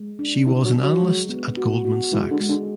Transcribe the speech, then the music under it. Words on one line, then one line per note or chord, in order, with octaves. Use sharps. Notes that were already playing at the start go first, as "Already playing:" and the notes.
She was an analyst at Goldman Sachs.
Already playing: G#3
D4
D3 E3
F#3
D3
F#3
G#3
B3
F#4
F#4
E3 G#3
D3
G#3
D3